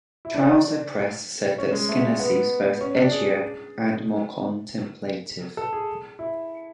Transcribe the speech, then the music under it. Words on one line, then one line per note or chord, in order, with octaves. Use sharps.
Trouser Press said that Skinner seems both edgier and more contemplative.
E4
D4
C#4
G#3
A3
B3
C#4
D4
G#4
A4
G#4
E4